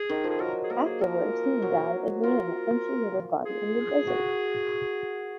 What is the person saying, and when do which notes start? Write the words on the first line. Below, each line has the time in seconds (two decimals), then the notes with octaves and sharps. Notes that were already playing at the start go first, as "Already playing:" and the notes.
Afterwards he died again and she hid his body in the desert.
Already playing: G#4
0.09 D#3
0.24 F3
0.30 G#4
0.39 F#3 A#4
0.64 G#4
0.70 A#3 A#4
0.85 G#4
1.01 F3 A#4
1.62 F#3
2.23 F4 A#4
3.46 G#4
4.07 F#4